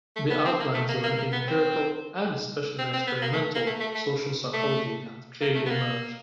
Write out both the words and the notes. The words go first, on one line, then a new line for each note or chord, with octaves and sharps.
The outlines of an empirical, and especially an experimental, social psychology have clearly emerged.
A3
B3
C4
A#3
A3
A#3
A#3
A#3
B3
C4
C4
C4
B3
A#3
A3
A#3
A3
A3
A3
A3
A#3
A3
B3
A#3